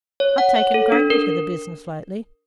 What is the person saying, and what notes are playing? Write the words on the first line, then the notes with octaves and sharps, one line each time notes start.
I've taken greatly to the business lately.
C#5
F#5
C#5
A4
D4
A#4